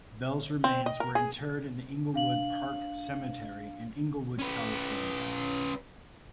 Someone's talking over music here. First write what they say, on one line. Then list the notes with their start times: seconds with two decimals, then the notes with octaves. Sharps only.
Bell's remains were interred in the Inglewood Park Cemetery in Inglewood, California.
0.64 C4
0.86 D#5
1.00 A#4
1.15 G#4
2.14 D4 F5 F#7
4.39 C#4 B4